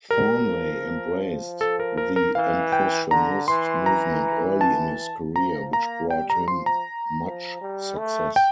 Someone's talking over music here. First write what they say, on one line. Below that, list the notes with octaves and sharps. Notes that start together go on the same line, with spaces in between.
Thornley embraced the Impressionist movement early in his career, which brought him much success.
G3 A#4
F3
A4
A#4
A#4
A#4
E3 F5
G5
D3 A#5
E3 C6
A#5
A5
F3 A#5
A#3 A#5
G3 G5
A#5
F3 C6
A#5
F3
G3
A3
G5